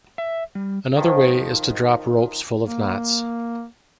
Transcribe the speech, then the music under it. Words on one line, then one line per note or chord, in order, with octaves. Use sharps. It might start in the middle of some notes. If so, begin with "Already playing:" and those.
Another way is to drop ropes full of knots.
E5
G3
D#3 F3
A#3